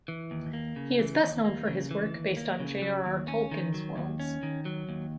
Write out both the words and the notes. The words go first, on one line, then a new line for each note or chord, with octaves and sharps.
He is best known for his work based on J. R. R. Tolkien's worlds.
E3
D#2
A#3
C#3
E3
D#2
A#3
C#3
E3
D#2
A#3
C#3
F#3
D#2
C#4
D#3
F#3
D#2
C#4
D#3
F#3
D#2